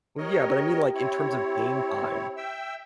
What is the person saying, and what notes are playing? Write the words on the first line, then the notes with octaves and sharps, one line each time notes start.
Well yeah, but I mean, like, in terms of game time,
G4 A#4 C#5 D#5
C4 E4 C#5
E5 G5 E6